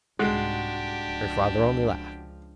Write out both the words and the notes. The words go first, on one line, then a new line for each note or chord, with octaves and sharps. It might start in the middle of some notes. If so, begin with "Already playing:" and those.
Her father only laughed.
C2 G#2 G#3 D4 F#4 G4 F#5 C6
C#2 F3